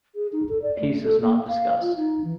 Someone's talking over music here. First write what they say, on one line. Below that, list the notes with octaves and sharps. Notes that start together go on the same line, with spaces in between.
Peace is not discussed.
G#4
D#4
A4
D5
A3
A4
A#3
F5
F4
D#4
E3